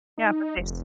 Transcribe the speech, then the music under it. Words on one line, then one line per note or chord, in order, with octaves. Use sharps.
yeah, but this.
D#4
F1